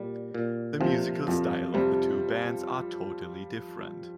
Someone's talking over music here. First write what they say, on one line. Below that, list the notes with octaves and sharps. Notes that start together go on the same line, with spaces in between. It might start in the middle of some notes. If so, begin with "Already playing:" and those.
The musical style of the two bands are totally different.
Already playing: A#2 G3
A#2
C3 F3
F2 F3
C3 G3